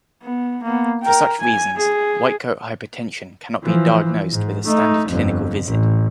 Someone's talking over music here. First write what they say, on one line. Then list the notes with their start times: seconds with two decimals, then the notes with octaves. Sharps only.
For such reasons, white coat hypertension cannot be diagnosed with a standard clinical visit.
0.23 B3
0.63 A#3 B3
1.03 A#4 G5
1.40 G#5
1.76 G#4
3.63 E3 F3
4.32 G#2
4.65 A3 D#4
5.08 G1 F2
5.65 A1